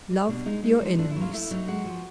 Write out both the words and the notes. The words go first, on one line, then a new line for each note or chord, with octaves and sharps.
Love Your Enemies.
G3
B2 D4
G#3 D#4
G#3 D#4
F3 D#4
A3 D4
E4
F#3 F4
A3 E4
F#3 D#4
G#3 F#4
F3